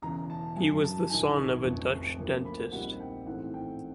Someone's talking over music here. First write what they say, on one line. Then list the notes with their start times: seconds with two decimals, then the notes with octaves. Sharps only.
He was the son of a Dutch dentist.
0.02 E1 E2 C#3 E3 A#5
0.30 A5
0.56 F#2 C#3 F#3 G#5
0.83 A5
1.10 A#1 G#2 D#3 G#5
1.37 C#6
1.64 F1 F2 C#3 F3
2.18 D2 C#3 F3 A#3
2.45 B5
2.72 A#1 A#2 G3 C4 D#4 F#5
3.00 G5
3.27 A1 G#2 E3 A3 C4 F#5
3.54 G5